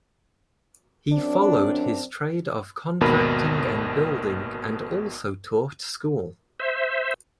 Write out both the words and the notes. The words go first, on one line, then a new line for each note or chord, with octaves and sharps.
He followed his trade of contracting and building and also taught school.
F#2 C4 D4
G#1 D#2 B2 A#4 B5
C5 E5